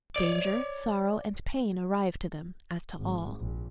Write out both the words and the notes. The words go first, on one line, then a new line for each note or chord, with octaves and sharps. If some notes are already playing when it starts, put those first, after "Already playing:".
Danger, sorrow, and pain arrive to them, as to all.
C#5 D5
G#1
A#1